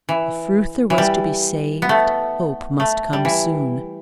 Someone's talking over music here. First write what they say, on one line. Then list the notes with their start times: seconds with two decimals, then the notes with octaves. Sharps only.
If Reuther was to be saved, hope must come soon.
0.09 E3
0.90 E3
0.98 G3
1.82 B3
1.89 A3
2.80 A3
3.13 G3
3.25 E3